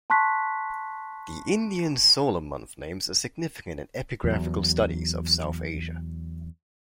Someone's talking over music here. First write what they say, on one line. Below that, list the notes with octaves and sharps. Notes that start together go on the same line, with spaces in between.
The Indian solar month names are significant in epigraphical studies of South Asia.
A5 C6 C#6 F#6 B6
E2 F#3